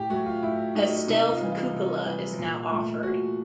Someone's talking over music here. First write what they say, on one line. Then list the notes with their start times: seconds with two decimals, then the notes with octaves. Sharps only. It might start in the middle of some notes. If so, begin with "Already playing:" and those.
A stealth cupola is now offered.
Already playing: A2 G4
0.10 F#3 A3 F#4
0.26 F4
0.42 A2 E4
0.75 F#3 A3 D#4
1.07 C3 D#4
1.30 F4
1.41 E3 G3
1.51 F4
1.73 C3
2.05 E3 G3
2.38 A#2
2.70 F3 A3
3.03 A#2 F#4